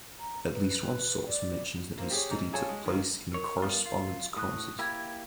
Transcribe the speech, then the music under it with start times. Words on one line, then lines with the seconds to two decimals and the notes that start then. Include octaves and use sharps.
At least one source mentions that his study took place "in correspondence courses".
0.19 A#5
0.51 B4
1.27 D5
1.98 A#3 C4
2.10 G4 G#4 C#5
2.31 G#2 A#5
2.52 F4 G#4 A4 C#5 G#5 A5
2.69 G#3
2.86 D#3 A#3
3.34 A#4 C#5
3.62 G3 B3 F4
3.86 F4
4.37 A2 D#6 F#6
4.79 A#3 E4 G4 B5 G#6